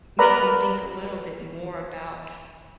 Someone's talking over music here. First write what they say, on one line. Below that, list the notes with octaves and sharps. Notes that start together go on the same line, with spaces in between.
make me think a little bit more about
A#4 B4 D5 A#5 B5